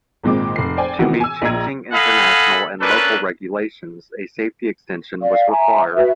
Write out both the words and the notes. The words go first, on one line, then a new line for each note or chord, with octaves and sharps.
To meet changing international and local regulations a safety extension was required.
G#1 A#2 G#3 C4 D6
F1 C7
C5 D5 G5 G#5
C3 D#3 E3 B3 F#4
G#5 E6
A#1 A#2 D#5 A#5 G#6
A4 D#5 F5 F#5 G#5 B5
A#3 C#4 D4 A4 B4
D5 F5
E5 G#5 A#5
F#4 B4 E5